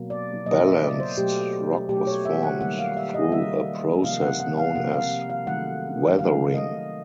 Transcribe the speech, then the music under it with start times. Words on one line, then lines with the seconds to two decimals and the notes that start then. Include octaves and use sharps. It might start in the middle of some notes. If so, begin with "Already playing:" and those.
Balanced rock was formed through a process known as weathering.
Already playing: B2 F#3 A#3
0.10 D5
0.46 B2 F#3 A#3 D#5
0.64 E5
0.82 D5
1.00 C5
1.17 B2 F#3 A3 G4
1.89 B2 F#3 A3 G4
2.07 C#5
2.25 E5
2.43 F#5
2.61 D#3 G3 A#3 F#5
2.79 F5
2.97 E5
3.14 D#5
3.32 D#3 G3 A#3 E5
4.04 C3 F3 A#3 F5
4.22 F#5
4.40 F#5
4.57 F5
4.75 C3 F3 A#3 F#5
4.94 F5
5.30 F5
5.47 D#3 F#3 A3 F#5
6.19 D#3 F#3 A3 F5
6.54 D#5